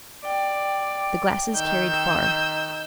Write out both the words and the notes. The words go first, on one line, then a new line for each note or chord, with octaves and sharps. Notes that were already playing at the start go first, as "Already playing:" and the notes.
The glasses carried far.
D5 G5
D#3 E6 G6